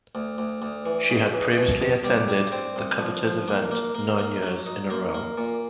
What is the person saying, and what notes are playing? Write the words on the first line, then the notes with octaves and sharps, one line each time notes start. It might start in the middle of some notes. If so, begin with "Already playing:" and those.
She had previously attended the coveted event nine years in a row.
D2
D2
D2
E3
C#3
E3
B2
B2
G3
G3
C4
C2
F3
F3
A#3
A#3
A#3
A#3
F#3
D#4
A#3
A#3
A#2